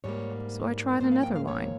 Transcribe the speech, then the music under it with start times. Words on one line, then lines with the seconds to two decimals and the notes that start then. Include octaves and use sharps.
So I tried another line.
0.04 G#2 G3 A#3 C#5
1.00 G#2 F3 A#3 C5
1.12 F5
1.23 G5
1.36 F5
1.48 C#5